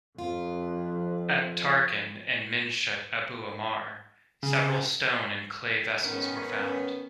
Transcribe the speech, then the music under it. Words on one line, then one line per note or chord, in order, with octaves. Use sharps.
At Tarkhan and Minshat Abu Omar, several stone- and clay vessels were found.
F2 F4
C#3
D#3 B3 C#4